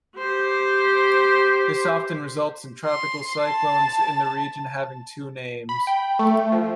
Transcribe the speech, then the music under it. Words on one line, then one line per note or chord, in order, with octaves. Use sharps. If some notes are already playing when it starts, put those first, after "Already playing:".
This often results in tropical cyclones in the region having two names.
G4 C5
C6
A5
B5
G5
A3
F3